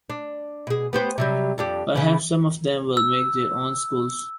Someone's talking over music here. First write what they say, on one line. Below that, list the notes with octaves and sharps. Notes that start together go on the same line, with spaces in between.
Perhaps some of them will make their own schools.
D4
B2 G#4
B3 G4 C5
C3 F#3 G3
F2 D4 G4
C#3 E3
E6